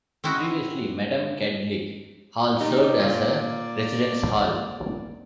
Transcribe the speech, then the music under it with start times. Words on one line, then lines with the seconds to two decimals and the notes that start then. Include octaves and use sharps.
Previously Madame Cadillac Hall served as a residence hall.
0.24 C4 C#4 E4 F#4 D#5
2.60 A#3 D#4 G4 D5
3.00 A#2 F4